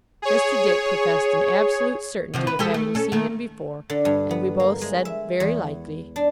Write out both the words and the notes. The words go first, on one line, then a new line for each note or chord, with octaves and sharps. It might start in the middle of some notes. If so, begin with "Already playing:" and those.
Mr. Dick professed an absolute certainty of having seen him before, and we both said, 'Very likely.'
G#4 C#5
C3 D#3 F3
B4
G#3 G4 A4
A3
C#4 A4
D#3 A3
D3
G2
B3
A#3
G#3
E5
E2
D4